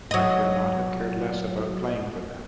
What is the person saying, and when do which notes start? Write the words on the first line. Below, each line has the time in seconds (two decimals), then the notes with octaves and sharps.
I could not have cared less about playing for them.
0.11 F#3 D#5